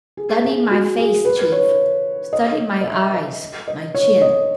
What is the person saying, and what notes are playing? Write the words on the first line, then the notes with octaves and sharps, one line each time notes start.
Study my face, Chief--study my eyes, my chin.
G#4
G#4
F#4
G#4
B4
B4
C#5
D#5
D#5
E5
D#5
D#5
C#5
D#5